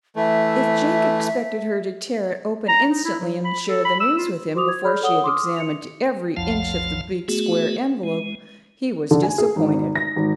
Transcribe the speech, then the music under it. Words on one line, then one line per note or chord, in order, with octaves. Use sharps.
If Jake expected her to tear it open instantly and share the news with him before she had examined every inch of the big square envelope, he was disappointed.
E3 A3 E5
A#5
D#4
E4
F#3
B5
A4
B5
E6
F4
F#4 C5 C6 D6 D#6 F7
G#6
G#4 D5 B5 F6 G6
A4 C#5 F#5 D#6 G7
C6 D6 D#6 F6
C#7 F7
F#1 B1 F2 F3 F5 A5
A3 B3 F#4 G#4
G#3
D3
G#5
G#4
G#1
A#6
G#1